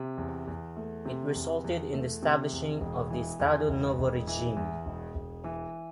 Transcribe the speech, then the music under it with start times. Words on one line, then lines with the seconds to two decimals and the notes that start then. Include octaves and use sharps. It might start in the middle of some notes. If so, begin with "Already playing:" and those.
It resulted in the establishing of the Estado Novo regime.
Already playing: C3
0.18 E2
0.47 E2
0.76 A3
1.06 C3
1.35 E2
1.64 E2
1.94 A3
2.23 C3
2.52 E2
2.81 E1
3.10 E3
3.40 E2
3.69 E1
3.98 E1
4.27 E3
4.56 E2
4.86 E1
5.15 E1
5.44 E3